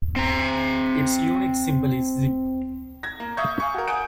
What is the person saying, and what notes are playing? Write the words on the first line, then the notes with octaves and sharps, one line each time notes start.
Its unit symbol is ZiB.
C4 A#5
G#6 A#6
A#3
E5 F5 C#6 D#6 G6 G#6
F5 G#5 C#6
F#4 A#4
F#5 G#5 D#6 G6 D7